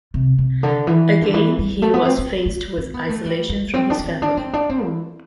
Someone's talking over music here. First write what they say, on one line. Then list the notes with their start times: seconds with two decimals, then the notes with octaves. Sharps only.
Again he was faced with isolation from his family.
0.14 C3
0.38 C3
0.63 D3
0.87 E3
1.22 D3
1.34 E3
1.59 G3
1.82 A3
1.94 B3
2.05 C4
2.18 D4
2.46 A3
2.78 C4
2.94 B3
3.09 A3
3.25 G3
3.49 A3
3.74 C4
3.90 D4
3.99 B3
4.05 C4
4.22 D4
4.37 C4
4.53 D4
4.69 C4
4.85 E3